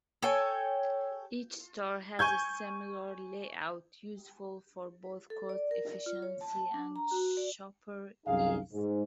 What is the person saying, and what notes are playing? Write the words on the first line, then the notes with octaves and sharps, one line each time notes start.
Each store has a similar layout, useful for both cost efficiency and shopper ease.
A4 C#5 G5 G#5
G#5 C#6 G6 G#6
A4
D5
A#4
D5
F4
C#5
A5
D4
A#5
F#4
D5
C2 F#2 D#4 G#4 F5
G#2